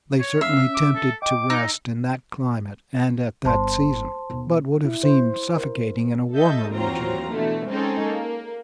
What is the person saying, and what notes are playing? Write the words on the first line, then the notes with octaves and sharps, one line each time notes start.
They certainly tempted to rest in that climate and at that season, but would have seemed suffocating in a warmer region.
C#5
C#4 E5 F5
D6
A4
D#5 G5 D6
D#4 E6
G1 G2 C5 A5 C6
D#2 B2
E4
C5
A#4
A4 D#5 E5 G6
D#2 E3 F#3 C4 F4 A#5
B2 D3 E3 A3
G#3 C4 C#4 D#4 G#4 A4
A#3